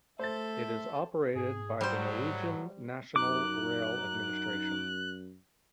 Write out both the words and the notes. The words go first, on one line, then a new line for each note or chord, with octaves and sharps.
It is operated by the Norwegian National Rail Administration.
A3 A4 C5 E5 A6
G#2 G#4
A2 F#3 G3 C5
F#2 D#4 D6 F#6